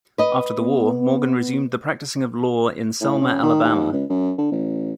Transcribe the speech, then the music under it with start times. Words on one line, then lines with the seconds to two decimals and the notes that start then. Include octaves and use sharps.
After the war, Morgan resumed the practicing of law in Selma, Alabama.
0.18 B4 D#5
0.57 B3
3.01 A2
3.21 C#3
3.43 D#3
3.64 D#2
3.92 C#2
4.10 F#2
4.38 D3
4.51 A1